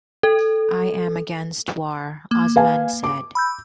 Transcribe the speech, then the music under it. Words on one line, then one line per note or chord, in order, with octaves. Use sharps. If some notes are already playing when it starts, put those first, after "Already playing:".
"I am against war," Osman said.
A4
A#3
B4 F5 G#5
D6
B5 E6 G6